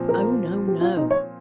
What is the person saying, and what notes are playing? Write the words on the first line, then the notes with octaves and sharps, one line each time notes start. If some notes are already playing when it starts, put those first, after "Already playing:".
O no, no.
Already playing: A#2 F3 C4
A#4
G4
F4
D#4
C#5